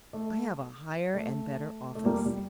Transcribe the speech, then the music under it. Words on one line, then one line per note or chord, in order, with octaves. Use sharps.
I have a higher and better office.
A3
A3
A3
G3 A#3
G3